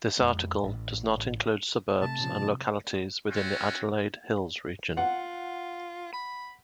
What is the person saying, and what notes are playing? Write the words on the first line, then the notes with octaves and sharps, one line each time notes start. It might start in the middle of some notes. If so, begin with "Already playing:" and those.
This article does not include suburbs and localities within the Adelaide Hills region.
F2 G#3
A1
C3 A3 A5
A#2 C#3 F3
C4 C#4 F4 F#4
F4 F#5
B5